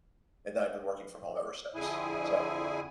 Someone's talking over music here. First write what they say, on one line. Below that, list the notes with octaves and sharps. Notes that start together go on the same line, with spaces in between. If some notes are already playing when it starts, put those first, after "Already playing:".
And then I've been working from home ever since, so,
F2 D3 E4 G#4 G#5